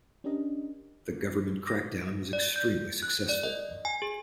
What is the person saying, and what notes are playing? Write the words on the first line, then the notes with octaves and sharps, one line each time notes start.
The government crackdown was extremely successful.
C#4 D4 G4 A#4 D#5
A#6
D5
G6
F#6
D5
D#5
G#5
G#4